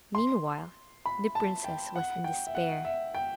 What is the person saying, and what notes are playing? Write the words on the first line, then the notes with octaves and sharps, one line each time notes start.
Meanwhile the princess was in despair.
C6
B5
A5
G5
F#5
G5
E5
F#5
E5
G5